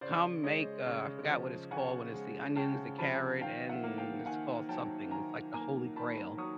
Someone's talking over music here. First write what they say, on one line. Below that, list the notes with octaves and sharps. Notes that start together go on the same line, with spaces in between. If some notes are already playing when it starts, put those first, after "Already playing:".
come make" uh, I forgot what it's called when it's the onions, the carrot and it's called something- it's like the holy grail.
C#3 C5 D5
G#3 C#5 D#5
C#3
F3
C#3 F#5 G#5
G#3
C#3 G5 A5
F3 A5 B5
D#3 F5 G5
E5 F#5
A#3
F5 G5
D#3 F#5 G#5
F#3 G5 A5
D#3 G#5 A#5
A#3 G#5 A#5
D#3 A5 B5
F#3 C#6 D#6